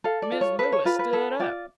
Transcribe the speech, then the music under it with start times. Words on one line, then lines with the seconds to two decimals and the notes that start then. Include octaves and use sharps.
Mrs. Lewis stood up.
0.04 A4 F5
0.22 D5
0.32 F4
0.41 C#5
0.59 A4 B4
0.72 C#5
0.85 F4 B4
0.99 B4
1.13 A4 B4
1.40 F4 D5